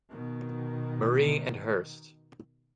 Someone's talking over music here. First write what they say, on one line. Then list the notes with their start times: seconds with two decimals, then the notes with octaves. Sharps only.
Marie and Hearst.
0.11 B2 D#3